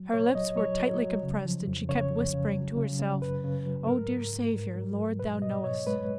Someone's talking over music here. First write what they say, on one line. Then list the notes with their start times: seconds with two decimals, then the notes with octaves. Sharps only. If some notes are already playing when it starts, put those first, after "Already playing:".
Her lips were tightly compressed and she kept whispering to herself: "Oh, dear Saviour!" "Lord, Thou knowest!"
Already playing: F#3
0.14 A#2 C#5
0.35 F#3 D#5
0.56 F#3 C#5
0.80 F#3
1.01 F#3
1.23 C#3
1.45 F3
1.67 F2
1.89 C#3 C#5
2.11 F2
2.34 C#3
2.56 F#3
2.77 C#3
2.99 C#3
3.21 F#2 B4
3.44 C#3
3.65 F#3
3.87 G#2 A#4
4.10 G#2
4.32 G#2
4.53 G#2
4.76 F#3
4.98 G#2
5.20 B2 B4
5.42 B2 D#5
5.64 B2 C#5
5.87 G#3 B4